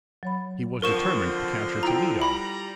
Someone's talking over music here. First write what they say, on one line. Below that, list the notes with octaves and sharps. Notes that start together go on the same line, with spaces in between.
He was determined to capture Toledo.
F#3 C#5 B5
D3 F3 C4 A#4 C#6 E7
E4 F4 G5 A#5
G3 A#5 B5